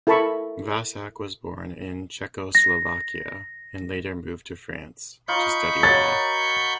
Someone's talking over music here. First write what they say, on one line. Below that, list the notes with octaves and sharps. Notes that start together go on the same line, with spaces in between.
Vasak was born in Czechoslovakia and later moved to France to study law.
E4 A4 A#4 A5 B5 C#6
A#6
D#4 F4 B5 C#6 G6
F#4 A#4 C#5 A6